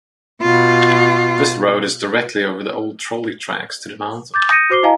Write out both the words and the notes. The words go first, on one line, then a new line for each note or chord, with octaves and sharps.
This road is directly over the old trolley tracks to the mountain.
B2 F4
D6 G6 A6
D#6 G6 A#6 C#7 D#7
F#4 C5 D6 C7 G7
E4 D#5 F5 G#5 A#5